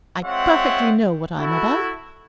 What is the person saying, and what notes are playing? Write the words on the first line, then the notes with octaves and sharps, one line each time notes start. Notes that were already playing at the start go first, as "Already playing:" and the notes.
I perfectly know what I'm about.
G#3 C4 F4 C#5 E5 F#5
E4 F#4 A4